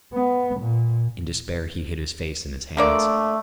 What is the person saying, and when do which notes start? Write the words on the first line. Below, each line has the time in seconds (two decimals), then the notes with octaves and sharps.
In despair he hid his face in his hands.
0.13 B3
0.60 A#2
2.77 D3 A3 A#3 D5